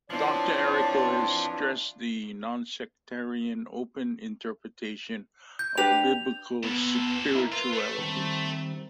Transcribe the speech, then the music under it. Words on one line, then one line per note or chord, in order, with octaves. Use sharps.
Doctor Errico has stressed the nonsectarian, open interpretation of Biblical spirituality.
E3 F3 C4 D4 F4 C#5 A5
G6
D4 G4 B4 F7
A#2 B3 A4
E4 A#4
F4 B4 E6
A3
D#3 G3 C4